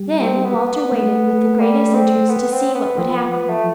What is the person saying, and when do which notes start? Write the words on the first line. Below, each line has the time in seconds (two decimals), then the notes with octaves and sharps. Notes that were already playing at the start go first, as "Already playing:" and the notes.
Then Walter waited with the greatest interest to see what would happen.
Already playing: G3
0.21 C4
0.44 B3
0.67 B3
0.92 A3
1.60 G3
1.94 C4
2.29 B3
2.52 C4
2.75 B3
2.98 F3 C4
3.16 B3
3.32 B3
3.50 A3